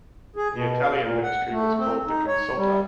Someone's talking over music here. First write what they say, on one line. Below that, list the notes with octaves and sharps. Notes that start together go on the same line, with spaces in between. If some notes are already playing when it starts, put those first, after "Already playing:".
The Italian ministry was called the Consulta.
G#4
B2
F5
A#2
F#5
A3
C4
D#4
C#5
G3